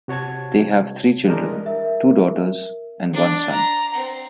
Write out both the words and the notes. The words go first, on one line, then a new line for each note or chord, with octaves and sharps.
They have three children, two daughters and one son.
C3 F#4 C#5 A5 G#6
E3 G3 G#3 D4 A#4 D#5
A#4 E5
D4
A#5
C4